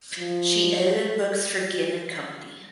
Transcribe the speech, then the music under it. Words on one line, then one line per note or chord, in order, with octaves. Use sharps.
She edited books for Ginn and Company.
F3